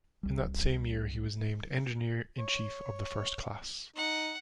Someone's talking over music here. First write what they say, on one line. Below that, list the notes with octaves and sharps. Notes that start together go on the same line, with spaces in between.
In that same year, he was named Engineer-in-Chief of the first class.
C2 G3
C#5
D#4 F#5